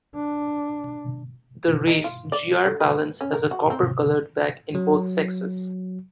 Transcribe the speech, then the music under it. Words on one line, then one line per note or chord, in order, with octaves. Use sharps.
The race "G. r. pallens" has a copper-coloured back in both sexes.
D4
D#4
F4
D5
D3
B4
C#4
A#4
F#4
C4
F#3